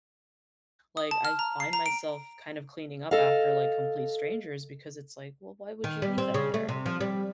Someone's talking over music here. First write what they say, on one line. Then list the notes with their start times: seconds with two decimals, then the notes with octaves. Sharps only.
like, I find myself kind of cleaning up after, like, complete strangers because it's like, "Well, why would you leave that there?"
0.97 D#6
1.11 A5
1.25 F6
1.39 A#5
1.60 C7
1.73 A#5
1.86 D7
3.11 A4 D#5 F5
5.84 D#3
6.02 G3
6.18 C4
6.34 C#3
6.54 A3
6.69 C3
6.86 F3
7.01 G3